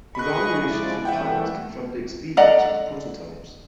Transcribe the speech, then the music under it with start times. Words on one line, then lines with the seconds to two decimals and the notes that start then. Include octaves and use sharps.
Evaluations from pilots confirmed the experience with prototypes.
0.15 G#4 D#5 B5 C#6 F#6
0.63 F3 G#3 E4 D5
1.05 E3 G3 A3 E5 F#5 G5
2.37 A4 D5 D#5 F#5 A#5